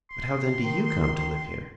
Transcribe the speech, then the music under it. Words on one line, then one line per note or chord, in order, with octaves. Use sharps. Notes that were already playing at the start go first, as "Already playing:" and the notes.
"But how then do you come to live here?"
C6
D#3